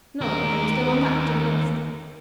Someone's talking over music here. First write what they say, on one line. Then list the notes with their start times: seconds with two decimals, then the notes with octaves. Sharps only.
"No, I am still on the active list."
0.21 D#2 A#4